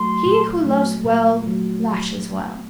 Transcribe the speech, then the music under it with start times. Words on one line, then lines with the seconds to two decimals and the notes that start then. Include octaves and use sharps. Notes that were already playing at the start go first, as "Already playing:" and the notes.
He who loves well lashes well.
Already playing: F#3 A3 C6
0.26 A#2
0.65 F#3 A3
1.04 A#2
1.44 F#3 A3